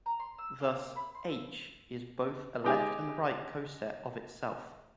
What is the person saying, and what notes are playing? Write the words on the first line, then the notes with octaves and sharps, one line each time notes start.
Thus "H" is both a left and right coset of itself.
A#5
C6
E6
A#3
B5
C6
E5
G#3 D#4 G4 G#4 G#5